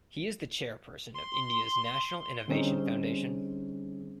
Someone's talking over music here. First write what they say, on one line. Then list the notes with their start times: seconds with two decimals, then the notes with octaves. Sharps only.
He is the Chairperson of India's National Innovation Foundation.
1.14 C6
2.48 D3 G3 C4 C#4 D#4 G#4